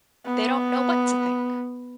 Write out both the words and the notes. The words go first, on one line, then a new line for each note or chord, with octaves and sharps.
They don't know what to think.
B3